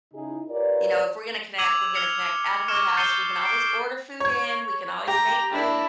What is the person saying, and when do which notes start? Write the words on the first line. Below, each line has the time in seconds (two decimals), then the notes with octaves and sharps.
you know, if we're gonna connect we're gonna connect at her house, we can always order food in, we can always make food,
0.14 C#3 D#4 E4 G#4
0.50 F4 G4 A#4 B4 C#5 D5
1.58 D6 E6 G#6 D#7 F7 F#7
1.95 F6 G#6 C#7 F7
2.68 C#6 D6 F6 C#7 E7
2.97 G6 A6 C7 C#7 D#7 G7
3.42 C7 D7
4.20 C#5 G#6
5.08 G4 A#5
5.52 D4 E4